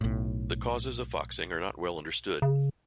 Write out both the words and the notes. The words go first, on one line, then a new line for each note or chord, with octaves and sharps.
The causes of foxing are not well understood.
B1 A2
C#3